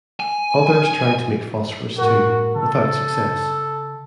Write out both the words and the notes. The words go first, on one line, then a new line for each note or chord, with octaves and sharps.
Others tried to make phosphorus too, without success.
G#5
A2 F#4 A#4
C#3 A4